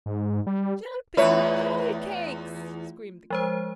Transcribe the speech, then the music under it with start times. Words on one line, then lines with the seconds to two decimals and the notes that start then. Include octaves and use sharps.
"Jumping jellycakes!" screamed the King.
0.06 G#2
0.47 G3
1.17 E2 A3 E4 F4 B4 C#5
3.30 F3 G#3 C5